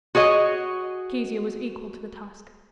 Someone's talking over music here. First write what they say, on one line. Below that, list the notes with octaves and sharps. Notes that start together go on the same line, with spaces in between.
Kezia was equal to the task.
F#4 G#4 C#5 D#5